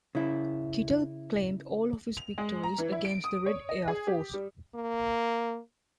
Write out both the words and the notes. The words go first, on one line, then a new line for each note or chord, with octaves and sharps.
Kittel claimed all of his victories against the Red Air Force.
C#3 E4
F7
G#3
A#5
E3
E4
D7
D#6
C#5
D#5
G#4
G4
G3
A#3